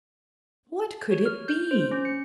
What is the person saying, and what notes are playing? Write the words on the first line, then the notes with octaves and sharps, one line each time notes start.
What could it be?
C#5
F6
G6
C5
C#4
C#7